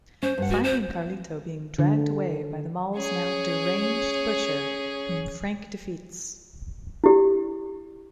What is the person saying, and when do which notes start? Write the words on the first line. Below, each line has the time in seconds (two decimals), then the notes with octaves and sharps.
Finding Carlito being dragged away by the mall's now deranged butcher, whom Frank defeats.
0.23 C#4 C5
0.38 G2 F#5
0.50 F#4
0.64 C5
1.78 D3
2.95 C#4 G#4
7.04 E4 G4